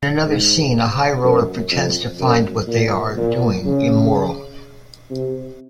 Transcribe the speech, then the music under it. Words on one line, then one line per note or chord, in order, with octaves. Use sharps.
In another scene, a high roller pretends to find what they are doing immoral.
G#2
F#2
F2
F#2
A#2
A#2
C#3
C3